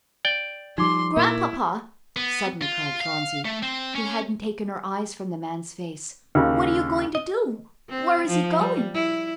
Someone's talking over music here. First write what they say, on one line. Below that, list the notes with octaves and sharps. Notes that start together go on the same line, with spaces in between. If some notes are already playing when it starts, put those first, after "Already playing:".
"Grandpapa," suddenly cried Phronsie, who hadn't taken her eyes from the man's face, "what are you going to do--where is he going?"
D5 G5
F3 G3 D#4 C6 D6
A#2 A#3 E4
B3
F4
F5
A3
C4
C#4
D#2 C#3
D#5
C4
F3
G3
E4